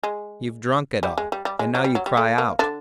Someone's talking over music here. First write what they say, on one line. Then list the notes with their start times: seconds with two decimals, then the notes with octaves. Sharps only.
You've drunk it all and now you cry out.
0.04 G#3
1.03 G3
1.18 G#3
1.32 G3
1.45 G3
1.59 G#3
1.75 F#3
1.84 G3
1.95 F#3
2.06 G3
2.17 A3
2.38 A#3
2.59 D3 D4